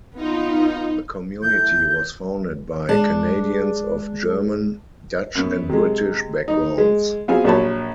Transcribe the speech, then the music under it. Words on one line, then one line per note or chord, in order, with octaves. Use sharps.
The community was founded by Canadians of German, Dutch and British backgrounds.
B3 D#4 F4
E3 A3 E4 G6
G#3 D4 G#4
F#2 B3
C3 G#3
D#4
G#3
B3 C4 F4 F#4 G#4 G#5
A#1 F#3 G4 C#5 A5 B5